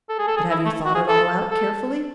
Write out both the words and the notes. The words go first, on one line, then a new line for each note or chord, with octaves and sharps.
But have you thought it all out carefully?
A4
G#4
A4
G#4
E4
A3
F#4
G#4
A4
A4